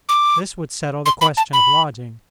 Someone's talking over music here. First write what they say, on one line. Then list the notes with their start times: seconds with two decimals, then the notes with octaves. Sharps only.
This would settle the question of lodging.
0.09 D6
1.06 C6
1.21 B5
1.37 A5
1.53 B5